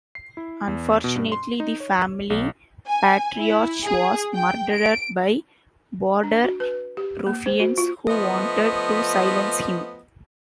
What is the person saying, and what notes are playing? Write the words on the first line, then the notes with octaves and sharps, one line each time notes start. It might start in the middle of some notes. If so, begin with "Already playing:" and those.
Unfortunately, the family patriarch was murdered by Border Ruffians who wanted to silence him.
C7
E4
E2
B2
G2
C6
D#4
C#5
B1
G#5
E4
G#4
G5
D7
D4
F#4
B4
G4
A#3
C5
F#4
F4
F3 A3 B3 D#5